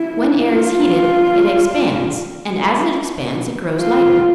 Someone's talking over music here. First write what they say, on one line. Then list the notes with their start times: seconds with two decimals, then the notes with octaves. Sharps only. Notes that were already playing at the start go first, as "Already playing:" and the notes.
When air is heated it expands, and as it expands it grows lighter.
Already playing: E4
0.50 F4
3.80 F4